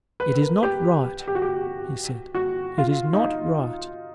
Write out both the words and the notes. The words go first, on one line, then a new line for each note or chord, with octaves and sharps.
"It is not right," he said; "it is not right."
B4
A#4
G4
G4
F#4
G4
F#4
F4
D#4